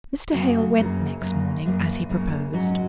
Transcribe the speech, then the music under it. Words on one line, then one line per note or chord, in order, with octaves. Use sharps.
Mr. Hale went the next morning, as he proposed.
F#2 C#3 F#3 A#3 F#4
F#2 C#3 A#3
F#2 C#3 A#3
F#2 C#3 A#3
F#2 C#3 A#3
G#2 F#3 C#4 F#4